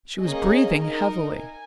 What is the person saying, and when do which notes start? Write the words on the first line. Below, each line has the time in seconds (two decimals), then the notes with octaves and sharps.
She was breathing heavily.
0.20 A#3 C#4 G#4 D#5
0.78 D#4 A#4 D#5
1.36 G#5